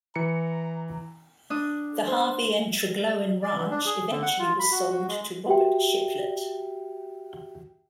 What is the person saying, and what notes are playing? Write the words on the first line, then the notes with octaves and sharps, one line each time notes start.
The Harvey and Tregloan Ranch eventually was sold to Robert Shiplet.
E3 A#5 C#7
D4 D#6
C5
D5
E3
D4
G#4
D3
F#5
F4
B5
F#4
F#4
G#3
F#4 G4 E5 G5